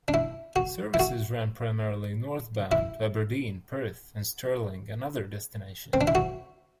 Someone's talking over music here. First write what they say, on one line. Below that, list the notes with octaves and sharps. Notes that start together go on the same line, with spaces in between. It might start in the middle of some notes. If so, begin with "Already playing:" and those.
Services ran primarily northbound, to Aberdeen, Perth and Stirling and other destinations.
D4
E4
F#4
E4
F#4
E4
C4
D4
E4
F#4